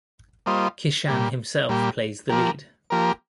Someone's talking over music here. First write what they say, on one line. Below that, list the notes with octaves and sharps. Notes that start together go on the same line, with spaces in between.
Kishan himself plays the lead.
G3 A#3 F4 C5 D#5
A#2 G3 A#3 G4
A#2 G3 A#3 G4
F3 A#3 G4 A#4
F3 A#3 G4 A#4